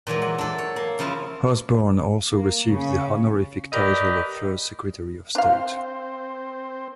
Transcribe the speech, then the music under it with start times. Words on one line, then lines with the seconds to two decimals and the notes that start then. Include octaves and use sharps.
Osborne also received the honorific title of First Secretary of State.
0.07 A#2 E3 F#3 G#3
0.22 F#5
0.38 D4 A4
0.58 C#5
0.76 A#3
0.99 C#3 F3 E4 F4
2.32 A#3
2.70 C#3
3.73 G4 A#4 B4 D5 D#5
5.35 C4 D4 C5 F5